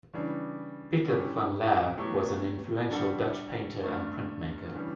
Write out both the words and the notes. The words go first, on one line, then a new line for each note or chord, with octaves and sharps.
Pieter van Laer was an influential Dutch painter and printmaker.
C#3 E3 G3 D4
D3 G3 C#4 E4 G4
B2 F#3 A3 E4 G4
D3 G3 D4 F#4 A4
G2 D3 A3 D4
C#3 E3 G3 D4